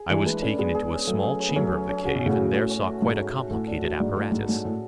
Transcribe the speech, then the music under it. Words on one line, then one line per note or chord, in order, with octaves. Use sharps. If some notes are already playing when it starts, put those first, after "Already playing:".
I was taken into a small chamber of the cave, and there saw quite a complicated apparatus.
Already playing: G#4
E3 G#3 D4
E3 G#3 B4
A3 C#4 D4
G#3 B3 G#4
G#4
C#4
F#3 A3 G#4
C#4
C#5
B3
F#3 A3 C#4
C#5
C#4
C#3 F#4
B2
A2 C#3 F#4
C#5
A2 F#4
C#4
A3
G#2 A3
C#4
A3
A2 F#4
D4
F#4
G#2 D4
A2 F#4
G#2 A4
G#2 C#4
A2 G#4